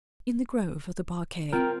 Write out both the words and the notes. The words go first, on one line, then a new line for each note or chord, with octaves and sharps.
"In the grove of the parquet."
C4 F4 A#4 G5